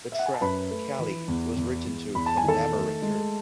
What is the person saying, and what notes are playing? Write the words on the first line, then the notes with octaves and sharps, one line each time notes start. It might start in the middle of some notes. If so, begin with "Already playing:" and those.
The track "Callie" was written to commemorate her.
E5
F#5
G#5
A5
F#2 B4 B5
A3
E3
E2
E2
E2
E2 B5
A5
G#5
D#3 A4 A5
A3
G#3